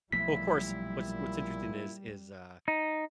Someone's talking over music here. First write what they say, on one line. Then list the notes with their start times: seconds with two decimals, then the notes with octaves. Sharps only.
Well, of course, what's what's interesting is is, uh,
0.13 B1 A#2 F3 G3 A3 E4 B6
2.68 D#4